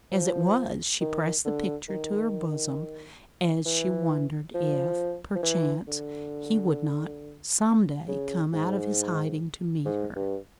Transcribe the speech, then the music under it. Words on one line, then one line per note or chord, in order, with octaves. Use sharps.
As it was, she pressed the picture to her bosom as she wondered if, perchance, he would not some day come out of his hiding to meet her.
F3
D#3
D3
D#3
E3
F3
F3
E3
D3
C#3
G#2
G#2
G2